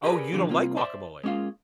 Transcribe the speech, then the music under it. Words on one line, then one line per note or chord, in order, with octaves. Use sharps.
Oh, you don't like guacamole.
G4 G#4 A#4 B4 D5
A#2 D3 F3
C2 A#3 C4 F4
C5 D5 E5
G#3 A#3 C#4 D4 F4 F5